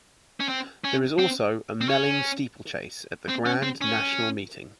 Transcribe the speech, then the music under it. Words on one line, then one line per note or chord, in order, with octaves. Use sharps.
There is also a Melling Steeplechase at the Grand National meeting.
C#4
C4
C#4
C4
C4
C#4
C4
C#4
C4
C#4